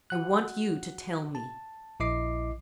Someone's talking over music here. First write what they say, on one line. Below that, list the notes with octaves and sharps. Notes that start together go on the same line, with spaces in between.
"I want you to tell me."
F#4 F#5 F#6
A5
A#1 E4 D#5 D6 C7